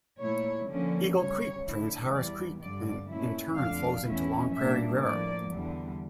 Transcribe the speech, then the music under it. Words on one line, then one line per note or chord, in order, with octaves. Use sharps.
Eagle Creek drains Harris Creek, and in turn flows into Long Prairie River.
A#2 A3 E4 C#5
D3 F3 A#3 C#4
D2 C#3 G3 C#5
D3 A3 E4
E2 E3 G3 D5
G2 D3 G3 D5
A#2 A3 C#4 E4
F2 D3 A3 D4 F5
E2 E3 A3 C#4 E4
A#2 G3 A#3 D4 E5
A2 F3 A#3 D5
E2 D3 G3